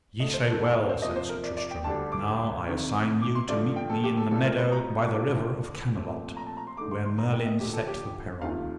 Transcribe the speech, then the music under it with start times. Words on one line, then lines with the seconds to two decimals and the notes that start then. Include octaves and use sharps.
Ye say well, said Sir Tristram, now I assign you to meet me in the meadow by the river of Camelot, where Merlin set the peron.
0.20 D2 D3 A3 D#5
0.34 C5
0.48 A4
0.61 A4
0.75 A#4
0.89 C5
1.02 C3 F3 A#3 D#5
1.16 C5
1.29 A#4
1.44 D5
1.57 D5
1.71 G5
1.84 D2 D3 G3 D4 A5
2.12 D6
2.67 F2 C3 D#3
3.21 D6
3.35 C6
3.49 G2 D3 F3 D5
3.76 G5
3.90 A4
4.04 G4
4.17 A4
4.31 A2 G3 C4 F4 A4
4.45 A#4
4.58 C5
4.72 A#5
5.13 D3 G3 D4 F4 D6
5.95 A#2 F3 A3 C4
6.37 A#5
6.47 A5
6.57 A#5
6.67 C6
6.77 D3 A3 D#4 D6
6.91 C6
7.05 C6
7.18 A#5
7.33 G5
7.46 D#5
7.60 D2 D3 F3 G4
7.73 A4
7.87 G4
8.42 D#2 D#3 A3 C4 F4 F5